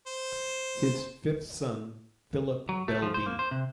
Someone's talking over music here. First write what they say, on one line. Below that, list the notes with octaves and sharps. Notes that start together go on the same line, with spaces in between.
His fifth son, Phillip Bell b.
C5
F#3
A3
F3
C5
A#3
C5
C3